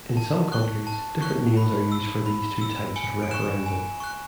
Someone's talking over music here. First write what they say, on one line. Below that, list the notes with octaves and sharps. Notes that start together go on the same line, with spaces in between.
In some countries, different names are used for these two types of referendum.
A5
C#6 F#6
A5
C#6 F#6
B5
E6
B5
E6
G#5 C#7
D7
C#6 F#6 E7
G#5
C#6 F#6